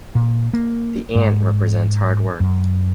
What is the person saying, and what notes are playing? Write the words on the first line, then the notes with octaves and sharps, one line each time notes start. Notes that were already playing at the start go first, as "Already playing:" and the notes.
The ant represents hard work.
A#2
A#3
G#2
F#2